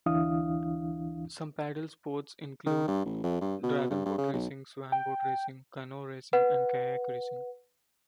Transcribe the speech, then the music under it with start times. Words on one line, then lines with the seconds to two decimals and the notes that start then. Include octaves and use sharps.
Some paddle sports include dragonboat racing, swanboat racing, canoe racing and kayak racing.
0.06 D2 E3 D4 E4 F5 D#6
2.66 D#3
2.88 G2
3.06 A1
3.24 F2
3.41 G2
3.63 B2
3.90 G2
4.05 G2
4.18 C#3
4.33 B1
4.92 G5
6.33 B4 F#5